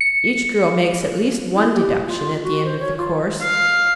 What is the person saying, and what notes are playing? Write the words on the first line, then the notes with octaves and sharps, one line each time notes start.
Each girl makes at least one deduction at the end of the course.
C#7
E4
G4
F4
F#4
C5
C#5
F4
F5